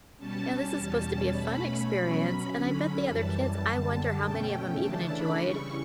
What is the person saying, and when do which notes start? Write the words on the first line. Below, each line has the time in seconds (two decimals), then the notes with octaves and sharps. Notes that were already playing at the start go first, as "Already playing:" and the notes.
now, this is supposed to be a fun experience, and I bet the other kids I wonder how many of 'em even enjoyed
0.17 B2 G3 C#4 A5
0.76 E2 B2 G3 C#4
1.33 B2 A3 C#4 B5
1.91 B2 F#3 C#4
2.49 D3 F#3 C#4 B5
3.07 F#2 E3 G3 A5
3.65 F#2 D3 G3
4.23 B2 A3 C#4 G5
4.80 C#3 E3 A3 D4 A5
5.09 B5
5.38 C#3 E3 G3 C#6